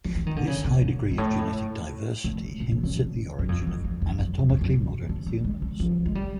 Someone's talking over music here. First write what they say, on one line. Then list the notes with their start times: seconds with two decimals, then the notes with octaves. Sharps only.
This high degree of genetic diversity hints at the origin of anatomically modern humans.
0.05 F3
0.15 E3
0.26 D#3
0.36 D3
0.47 C#3
0.65 C3
0.82 B2
1.11 G#2
1.18 A2
2.24 A2
2.60 A#2
2.72 B2
2.83 C#3
2.96 B2
3.39 F#2
3.49 F2
3.67 F2
3.84 E2
4.02 F2
4.19 F#2
4.38 F2
4.49 E2
4.61 F#2
4.73 B2
5.09 D3
5.26 G3
5.44 G#3
5.62 G3
5.80 F3
6.06 G#3
6.15 G3